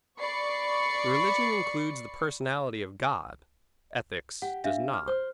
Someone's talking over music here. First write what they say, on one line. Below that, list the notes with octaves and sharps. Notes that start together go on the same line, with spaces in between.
Religion includes the personality of God; Ethics does not.
D5 B5 C#6 C7 C#7
G4 F#5
D4 E5 F5
F6
C5